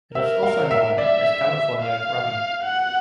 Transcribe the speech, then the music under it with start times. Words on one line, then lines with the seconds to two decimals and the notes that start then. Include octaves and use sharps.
It is also known as California rummy.
0.15 A#4 E5
0.43 F5
0.71 E5
0.98 D5 E5
1.81 F5
2.64 F#5